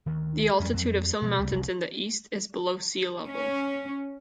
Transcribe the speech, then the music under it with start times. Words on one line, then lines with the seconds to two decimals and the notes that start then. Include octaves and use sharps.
The altitude of some mountains in the east is below sea level.
0.06 D2 D#3
0.60 F2 G3 C#4
0.73 F2 F#3 C4
1.22 B2 F3 G3
1.39 C#2 C3 G3
1.52 F1 C2
3.27 C#4